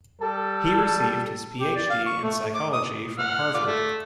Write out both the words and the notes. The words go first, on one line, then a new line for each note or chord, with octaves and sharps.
He received his Ph.D in Psychology from Harvard.
G3 A4
G4
D5
F5
C#6
A3
D6
D#6
F#5 F6
F4 D5
A3